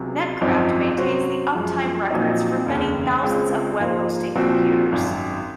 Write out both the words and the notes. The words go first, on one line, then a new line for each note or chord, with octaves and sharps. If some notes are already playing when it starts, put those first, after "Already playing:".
Netcraft maintains the uptime records for many thousands of web hosting computers.
Already playing: C#2 C3 F#3
G#1 F#2 F3 C4 D#4
C3 F#3 C#4 F#4 C5
F#2 F3 G#3
A#1 A#2 F#3 C4 D#4
F1 D#2 C#3
C#2 C#3 G#3 C4 F4
G#2 F3 A#3 F4 C5
C2 A#2 F3 C4 F#4
G#1 F#2 D#3